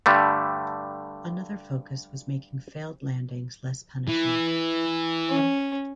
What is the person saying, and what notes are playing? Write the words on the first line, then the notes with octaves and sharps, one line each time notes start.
Another focus was making failed landings less punishing.
G2 D3 G3 A3
E3
C#4